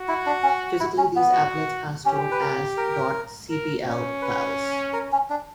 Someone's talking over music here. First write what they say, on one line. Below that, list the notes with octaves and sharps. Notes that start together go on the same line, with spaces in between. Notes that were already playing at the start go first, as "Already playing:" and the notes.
Physically, these applets are stored as ".cpl" files.
Already playing: F#4
E4
D4
C#4
E4
C#4
B3
F#4
C#4 G4
B4
A#4
A#4
A#4
C#4
B4
A#4
C#4
D4